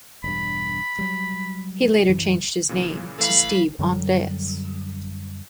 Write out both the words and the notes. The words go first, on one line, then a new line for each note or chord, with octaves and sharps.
He later changed his name to Steve Andreas.
E1 G2 B5
F#3 G3
F#2 E3
A#2 C#3 E3
E3 A3 A4 F5 B5
F#2 D3 F#3 G3